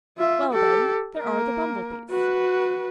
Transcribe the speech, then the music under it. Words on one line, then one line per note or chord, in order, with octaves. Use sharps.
"Well, then, there are the Bumble-Bees."
F4 E5
G4 A4
A#3 A#4
F#4 B4